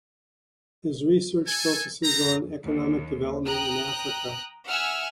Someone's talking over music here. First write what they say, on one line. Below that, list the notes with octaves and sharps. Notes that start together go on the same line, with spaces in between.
His research focuses on economic development in Africa.
A4 G#5
B3 C4 A#5
D#2
G5 A#5 D#6 F#6
E5 F#5 G#5 E6 F6